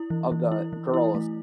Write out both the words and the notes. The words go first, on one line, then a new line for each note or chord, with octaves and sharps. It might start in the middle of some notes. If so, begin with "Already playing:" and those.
of the girls.
Already playing: E4
E3
E3
E4
E3
E4
A3